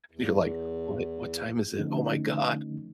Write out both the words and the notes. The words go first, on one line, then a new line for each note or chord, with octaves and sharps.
and you're, like, "What what time is it? Oh my god."
E2
D3 F3 A3 C#4 D#4